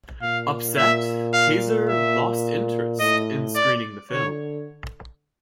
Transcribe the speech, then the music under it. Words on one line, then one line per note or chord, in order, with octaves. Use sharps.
Upset, Kayzer lost interest in screening the film.
A#2 F5
A#2 E5
F5
E5
A2 D#5
D5
D3 C#5